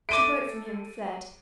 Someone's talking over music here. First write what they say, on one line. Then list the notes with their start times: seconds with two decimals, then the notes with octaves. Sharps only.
She broke from him and fled.
0.09 A4 E5 C6 D6 D7 D#7